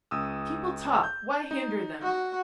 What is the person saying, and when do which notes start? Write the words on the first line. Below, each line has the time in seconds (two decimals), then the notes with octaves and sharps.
People talk, why hinder them?
0.11 C#2 D#6 E6
1.04 G6
1.51 D#4
2.03 F#4